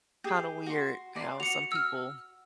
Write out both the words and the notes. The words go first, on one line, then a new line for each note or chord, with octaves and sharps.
kinda weird how some people
G4 G#4
F#4 C6
D5 C6
F#4 C#7 F7
E6 F6